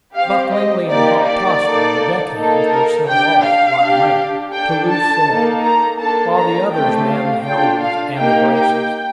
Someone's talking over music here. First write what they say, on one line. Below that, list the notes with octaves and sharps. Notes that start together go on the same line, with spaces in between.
Buck Lingley and Hop Tossford, the deck hands, were sent aloft by the mate to loose sails, while the others manned the halyard and the braces.
C4 G4 F5
D#5
A#3 D#4 G4 D5
D5
A#3 D#4 A4
A#3 D#4 A4
A#4
D4 G4 G5
F5
D4 G4
D4 A4 G5
A5
A#3 D#4 A4
A#5
A#3 D4 A4 A5
A#5
A3 C4 G4 G5
F5
D4 F4 A4 G5
F5
A#3 D#4 G4 G5
G5